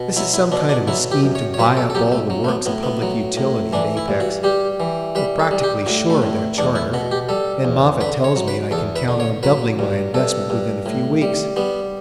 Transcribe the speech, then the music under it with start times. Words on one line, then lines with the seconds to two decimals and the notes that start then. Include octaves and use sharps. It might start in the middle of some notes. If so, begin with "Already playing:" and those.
This is some kind of a scheme to buy up all the works of public utility at Apex. They're practically sure of their charter, and Moffatt tells me I can count on doubling my investment within a few weeks.
Already playing: B2
0.16 F#3 E4
0.34 E4
0.52 B2 D4
0.69 D4
0.87 F#3 E4
1.11 G4
1.23 F#2
1.35 C#5
1.54 C#5
1.59 F#3 B4
1.77 A4
1.90 A4
1.95 F#3 G4
2.12 A3
2.30 F#3
2.44 A3
2.49 B3
2.66 A2 B3
2.83 B3
3.02 F#3
3.37 A2
3.73 E3 D4
3.97 E4
4.08 G2
4.20 F#4
4.43 G3 G4
4.80 E3
5.15 G3 B4
5.39 A4
5.51 G3
5.63 G4
5.86 A2 F#4
6.10 A3
6.22 A2
6.58 E2 D4
6.75 E4
6.93 B2 F#4
7.11 G4
7.29 G3 A4
7.65 E2
8.01 D3 B4
8.24 C#5
8.36 F#3
8.48 B4
8.71 E2 A4
8.96 B4
9.08 D3
9.20 C#5
9.43 F#3 B4
9.79 G2
10.14 G2 A4
10.50 G2
10.86 A2
11.22 G3
11.56 G3 B3